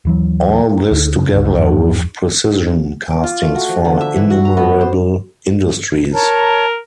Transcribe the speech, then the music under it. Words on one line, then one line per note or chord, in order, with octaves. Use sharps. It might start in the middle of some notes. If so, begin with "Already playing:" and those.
All this together with precision castings for "innumerable" industries.
D#2 E3 F#3
D2
C#3
G1 C#2
G#1 E2 G2 F3
D6
F4
A3
F#4
F3
D3
E5
E3
F#4
A#5
B3
C5
A#4 C#5 A5 A#5